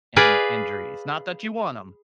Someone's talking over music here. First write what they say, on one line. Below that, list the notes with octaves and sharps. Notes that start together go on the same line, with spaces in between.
an injuries. Not that you want 'em,
G#4 B4 D5 F5